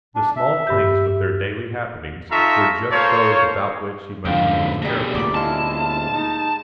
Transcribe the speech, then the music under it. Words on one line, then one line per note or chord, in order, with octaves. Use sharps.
The small things with their daily happenings were just those about which she must be most careful.
D4
E5
G2 G4 G6
D#4 F4 A4 E5 A#5 C#6
A#3 F4 A4 C5 C#5
F2 G#2 D3 F3 F5 G5
B2 G3 A3 G#4 A#5
D2 A#2 D5 B5
G#3 E4 F4 A5
D#4